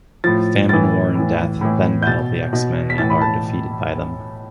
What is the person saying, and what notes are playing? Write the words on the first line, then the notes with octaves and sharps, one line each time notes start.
Famine, War, and Death then battle the X-Men and are defeated by them.
A2 F3 A6
A2 E3 A6
A2 E3
A2 E3
G6
B2 A6
B2
B6
A2 E3 A6
B5
A5